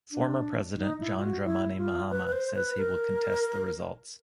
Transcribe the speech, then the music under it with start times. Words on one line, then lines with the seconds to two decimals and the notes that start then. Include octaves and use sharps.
Former President John Dramani Mahama says he will contest the results.
0.11 D4
0.78 D#4
1.01 E4
1.17 F4
1.22 F#4
1.45 E4
1.77 F4
2.10 B4
2.27 B4
2.32 C5
2.55 B4
2.77 A#4